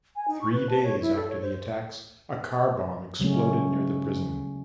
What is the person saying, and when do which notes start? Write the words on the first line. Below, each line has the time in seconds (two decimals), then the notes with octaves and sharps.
Three days after the attacks, a car bomb exploded near the prison.
0.16 G#5
0.28 D#4
0.41 C#6
0.53 B4
0.70 A5
0.83 C#5
1.01 E4
1.16 A4
1.29 C#5
1.42 C5
3.19 C#3 F#3 G#3 A3 C#4